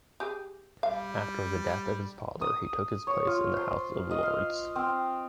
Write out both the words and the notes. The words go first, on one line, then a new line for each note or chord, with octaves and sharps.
After the death of his father, he took his place in the House of Lords.
G4 G#4
G3 F5
D#6
C#5
F4
C5
D#5
F5
C4